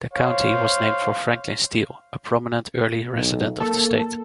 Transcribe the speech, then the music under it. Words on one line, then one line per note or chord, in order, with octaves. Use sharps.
The county was named for Franklin Steele, a prominent early resident of the state.
C5 C#5 F5
B1
A#3 A4